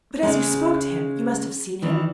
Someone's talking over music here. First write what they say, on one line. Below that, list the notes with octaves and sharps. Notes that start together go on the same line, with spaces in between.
"But as you spoke to him you must have seen him."
C#3 G#3
D#3 E3 D4